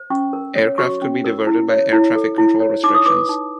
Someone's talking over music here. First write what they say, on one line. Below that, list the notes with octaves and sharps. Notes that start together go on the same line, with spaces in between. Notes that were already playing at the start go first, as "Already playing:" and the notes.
Aircraft could be diverted by air-traffic control restrictions.
Already playing: C5
C#4 C#6
A#4
C#5
F#4 C#6
C#4
A#4
E4
C#5
E4
A4
E4
C#5
D#4 D6
D#6
B4 D6
D#4